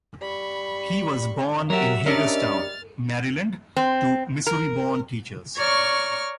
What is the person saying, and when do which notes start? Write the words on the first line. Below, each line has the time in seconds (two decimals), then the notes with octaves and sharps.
He was born in Hagerstown, Maryland, to Missouri-born teachers.
0.21 G3 B5 C#6
1.70 F#3 G4 A#4 E5 F#5
2.06 G3 C#4 D4 A#4 D#5 E5 F6 A6
3.76 C4
4.47 A#4
5.57 C#5 D5 A#5 C#6 F6